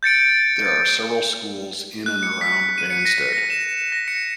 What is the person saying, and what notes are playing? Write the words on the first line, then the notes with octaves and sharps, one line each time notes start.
There are several schools in and around Banstead.
G6 A6 C#7 D7
F#6
C#7
B6
D#7
C#7
A#6
A#6
E7
A#6
C#7